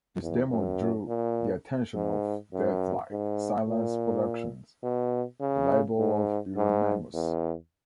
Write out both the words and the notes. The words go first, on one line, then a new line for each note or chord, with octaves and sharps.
This demo drew the attention of Deathlike Silence Productions - the label of Euronymous.
E2
F#2
A#2
G#2
F#2
G#2
A#2
B2
C#3
G#2
G#2
E2